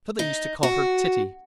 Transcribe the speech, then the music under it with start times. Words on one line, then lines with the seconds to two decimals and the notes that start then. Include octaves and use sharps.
So they used to call her Titty.
0.19 D#4
0.63 F#4